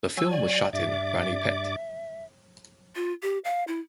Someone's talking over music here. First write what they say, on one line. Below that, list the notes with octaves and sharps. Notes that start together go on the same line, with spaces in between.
The film was shot in Ranipet.
F#3 G#5 E6
D5
G2 D5 E5 D6
F4
G4
F5
E4